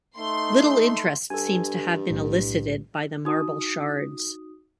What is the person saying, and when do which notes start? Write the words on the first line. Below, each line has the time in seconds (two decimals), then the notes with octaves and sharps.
Little interest seems to have been elicited by the marble shards.
0.17 A3 D#4 C6
1.30 G2 A4 G#5
2.10 B1 A2
3.25 D#4 F#4 D#6